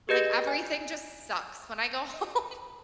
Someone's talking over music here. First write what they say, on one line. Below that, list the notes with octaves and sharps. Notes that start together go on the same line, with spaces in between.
like, everything just sucks when I go home,
G4 G#4 B4 D#5 G6 A#6
G#5